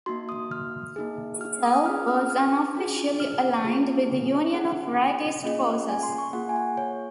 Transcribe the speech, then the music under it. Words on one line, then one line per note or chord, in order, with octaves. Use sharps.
Titov was unofficially aligned with the Union of Rightist Forces.
A#3 D#4 F#4 C6
D#6
F6
A#3 D#4 G#4
F6
D#6
D#6
C#4 F4 G#4 F6
F6
F6
C#4 F4 G#4
F6
A#3 F4 G#4
C#4 F4 G#4 F#5
A#3 C#4 F4 G#4 D#5
F#5
G#5
C6
C#6
A#3 F4 G#4 F#5
G#5
F#5
C#5